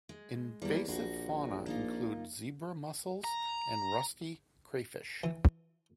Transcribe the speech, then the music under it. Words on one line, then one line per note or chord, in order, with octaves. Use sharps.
Invasive fauna include zebra mussels and rusty crayfish.
G#3
E2 G3 A#3
A#1 F#4 C5
A#3 D#4 F4
A#5
E3